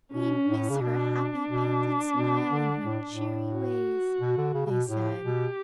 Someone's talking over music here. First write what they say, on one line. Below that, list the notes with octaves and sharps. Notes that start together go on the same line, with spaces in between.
"We miss her happy painted smile and her cheery ways!" they said.
B2 C#4
A2
C#3
B2 D4
B2
B2
D3
A2
A2
F#4
B2
D3
C#3
C#3
B2
A2 G4
B2